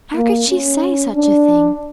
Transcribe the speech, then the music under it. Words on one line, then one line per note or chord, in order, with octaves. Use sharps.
How could she say such a thing!
A#3
C#4
D4